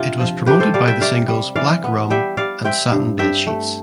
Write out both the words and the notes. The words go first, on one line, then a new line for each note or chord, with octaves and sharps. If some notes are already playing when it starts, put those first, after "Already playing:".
It was promoted by the singles "Black Rum" and "Satin Bedsheets".
Already playing: G2 C3 F4
F3
C3 G4 B4
A4 C5
G3 D5 F5
E5 G5
C3 D5 F5
G3
E3 D5 F5
B3
G3 E5 G5
G3 D5 F5
C4 E5 G5
G2
G2 E5 G5
A3